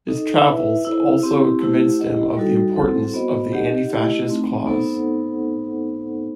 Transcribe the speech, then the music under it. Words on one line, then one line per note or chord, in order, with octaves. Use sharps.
His travels also convinced him of the importance of the anti-fascist cause.
D#4 A4 D#5
E4 B4 E5
E4 A4 C5
C4 E4 G4
A3 E4 G4 C5
E4 G4 D#5 F#5
G3 D#4 F#4 A4
C4 E4 A4 C5 F#5
B3 F#4 C5 D#5
D#4 G4 D#5 F#5
A3 E4 G4 D#5
A3 C4 D#4
B3 D#4 A4 C5 F#5